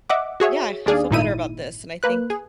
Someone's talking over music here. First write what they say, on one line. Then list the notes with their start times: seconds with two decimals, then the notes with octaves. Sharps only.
yeah, I feel better about this, and I think
0.10 D#5 E5 F#5 D6
0.40 F#4 G#4 C#5 E5
0.86 D#2 D4 G#4 D5 F5
1.10 G#1 A#2 D#4 E4 D#7
2.03 A#3 B4 F#6
2.30 G#4